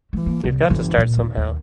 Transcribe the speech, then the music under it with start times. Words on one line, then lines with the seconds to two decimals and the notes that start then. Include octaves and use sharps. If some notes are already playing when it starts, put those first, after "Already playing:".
You've got to start somehow.
0.13 A3
0.26 A#3
0.44 C2
0.70 G1
0.97 A#2
1.17 D#2
1.37 D#2